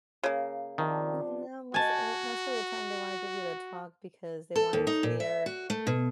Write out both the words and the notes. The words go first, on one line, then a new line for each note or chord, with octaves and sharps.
No, most of most of the time they wanna give you the talk because they wanna clear
C#3 A#3
C3 D#3 F3 D4
F#4 G#5 A5
A4
D#2
D#4
A#2
E5
F#4
A3
B2